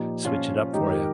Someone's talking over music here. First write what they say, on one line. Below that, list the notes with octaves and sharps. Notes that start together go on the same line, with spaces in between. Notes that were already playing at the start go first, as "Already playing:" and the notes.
switch it up for ya.
Already playing: A#2 F3 D#4 G4
A#2 F3 C#4 F4
G#2 D#3 D#4 G4
G4 A#4